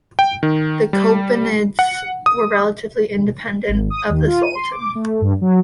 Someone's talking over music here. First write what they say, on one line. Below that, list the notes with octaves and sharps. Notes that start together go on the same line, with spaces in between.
The Chobanids were relatively independent of the Sultan.
G5
D#3
G3
F#5
D#6
G#1
D#6
D#2
F4
D#7
C6
D6
A3
G2
F#3